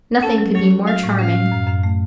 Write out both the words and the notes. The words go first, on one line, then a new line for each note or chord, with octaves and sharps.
Nothing could be more charming.
C#4 A4
F#3
F#3 C#5
F#4
F#4 F5
A2
C#4 F5
F#4
F#2
F#2
A3